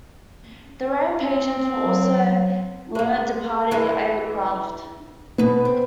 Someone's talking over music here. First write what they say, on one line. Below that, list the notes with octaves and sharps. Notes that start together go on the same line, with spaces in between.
The ramp agents will also load departing aircraft.
C4
F#3
G#3 A#3
E3 G#3 D4
B2 B3 B4
C4